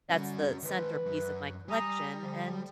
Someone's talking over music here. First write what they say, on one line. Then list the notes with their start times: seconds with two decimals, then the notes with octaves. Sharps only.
that's the centerpiece of my collection, and
0.10 D3 G3 C#4 F#4
0.63 D#3 B4 C5
1.06 F#2
1.68 G3 G#5 A#5 D#6
2.19 D3 F3